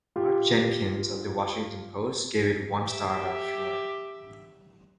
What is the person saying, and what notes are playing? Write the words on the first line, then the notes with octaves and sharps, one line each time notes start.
Mark Jenkins of "The Washington Post" gave it one star out of four.
F4 G4
G4 E5